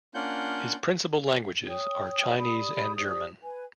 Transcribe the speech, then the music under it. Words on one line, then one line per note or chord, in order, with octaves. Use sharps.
His principal languages are Chinese and German.
A#3 C#4 D4 F4 F#5 G6
C#5 G5 D#6
G4 D5 B5 D#6
G4 C5 D5 D#6
B4 G#5